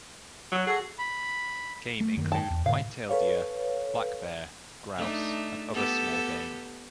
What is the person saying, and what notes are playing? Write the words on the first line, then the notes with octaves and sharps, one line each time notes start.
Game include white-tail deer, black bear, grouse, and other small game.
F#3
F#4 G#4 A4 F#5
B5
A3
F#2 D#3 A#3
G5 A5
E2
G#2 B2 D3 F5
A4 B4 C#5 F5
A3 D4 D#4
B3 G4 A4